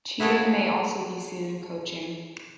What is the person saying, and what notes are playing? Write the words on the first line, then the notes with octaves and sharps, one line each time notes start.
Cheating may also be seen in coaching.
E4 F#4 G#4 A4 C#5